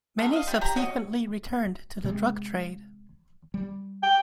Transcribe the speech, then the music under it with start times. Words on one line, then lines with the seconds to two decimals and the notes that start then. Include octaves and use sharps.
Many subsequently returned to the drug trade.
0.19 G#3 A3 B3 A#4
0.33 D#5 F5
0.48 G3
0.61 G4 A#5
0.76 F#4 C#5 D#5
2.04 C3 G#3
3.54 G3
4.03 G5